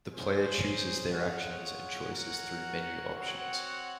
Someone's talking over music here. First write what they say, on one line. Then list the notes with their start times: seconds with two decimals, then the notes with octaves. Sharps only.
The player chooses their actions and choices through menu options.
0.11 C#4 G#4 C5
1.11 F4 G#4 C#5 F#5
2.12 F#4 A#4 C#5 F#5
3.13 C4 F#4 C#5 F#5